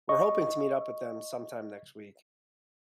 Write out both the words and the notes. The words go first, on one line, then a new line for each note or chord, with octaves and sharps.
We're hoping to meet up with them sometime next week.
D#5 C#6